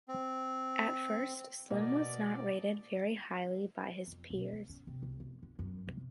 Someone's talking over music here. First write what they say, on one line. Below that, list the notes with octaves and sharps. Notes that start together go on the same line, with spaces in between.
At first Slim was not rated very highly by his peers.
C4
B2 A#3 D5 D#5
F2
B1
D#4
C#4
C3
C2
F1
D3
F#2
C3